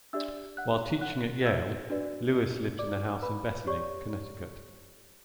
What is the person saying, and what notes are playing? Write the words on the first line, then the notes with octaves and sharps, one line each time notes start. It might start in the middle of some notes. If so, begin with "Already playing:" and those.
While teaching at Yale, Lewis lived in a house in Bethany, Connecticut.
D4 G4 D5 E5 E6
F#5 F#6
F#5 F#6
E5 E6
D4 F#4 B4 D5
D5 D6
B4 B5
G4 C#5 D5 C#6